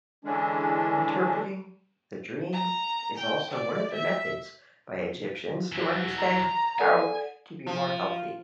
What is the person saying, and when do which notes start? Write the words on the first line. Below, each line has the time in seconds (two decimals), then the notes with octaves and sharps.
Interpreting the dream is also one of the methods by Egyptians to understand how to be more healthy.
0.25 D3 E3 G#3 C#4 D4
2.53 A#5
3.17 G5
3.51 D5
3.93 E5
5.72 E3 F#4
6.17 A#5
6.79 A4 D5 F#5 G#5
7.67 F3 F4